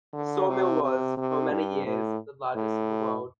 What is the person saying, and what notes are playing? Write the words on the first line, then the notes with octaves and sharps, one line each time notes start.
The sawmill was, for many years, the largest in the world.
D3
C3
C3
C3
G2
A2
A2